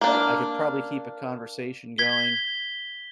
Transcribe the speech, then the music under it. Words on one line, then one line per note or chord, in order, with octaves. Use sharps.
I could probably keep a conversation going,
A#3 D4
G#6 B6 G7